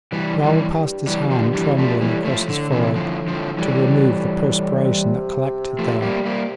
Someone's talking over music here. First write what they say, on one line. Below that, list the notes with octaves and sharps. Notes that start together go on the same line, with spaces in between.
Raoul passed his hand trembling across his forehead to remove the perspiration that collected there.
G2 E3 G3
E3 G3
E3 G3
D3 F3
E3 G3
F3 A3
A2 E3 G3
F3 A3
D3
C3 E3
D3 F3
D3 F3
E3 G3
C3
F3 A3
G3 A#3
G3 A#3